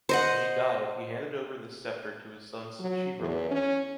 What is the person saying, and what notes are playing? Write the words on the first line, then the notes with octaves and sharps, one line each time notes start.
When he died, he handed over this scepter to his son Sinchi Roca.
C5 D#5 F#5
F#3
E2
C#4